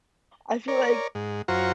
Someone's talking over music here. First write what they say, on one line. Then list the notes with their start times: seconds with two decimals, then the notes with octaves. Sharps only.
I feel like
0.68 A#4 C#5 D5
1.15 G#2
1.48 F#2 F4 F#4 C5 A#5 C#6